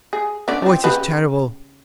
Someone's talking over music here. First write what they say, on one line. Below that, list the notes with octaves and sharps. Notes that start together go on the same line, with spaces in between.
Oh, it is terrible!
G#4
D3 C#4 D5
F3 C4
C#3 G4 B4